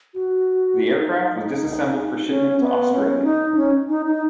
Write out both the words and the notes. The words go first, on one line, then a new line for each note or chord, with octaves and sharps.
The aircraft was disassembled for shipment to Australia.
F#4
D#4
C#4
B3
C#4
D#4
C#4
D#4
D#4